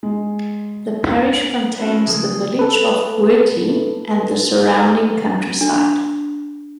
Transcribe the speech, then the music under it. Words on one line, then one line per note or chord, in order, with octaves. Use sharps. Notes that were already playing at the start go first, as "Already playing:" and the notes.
The parish contains the village of Wortley and the surrounding countryside.
G#3
C#4 E4 F#4 A#4 C5
C#3 F3 F#3 G#3 A#3
A4 B4
D4